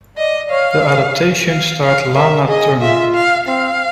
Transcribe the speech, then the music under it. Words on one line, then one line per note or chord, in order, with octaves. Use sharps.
The adaptation starred Lana Turner.
D5 D#5
C#5 F5
F5
F5
A#4 E5
G#4 D#5
F4 E5
F5
C4 F5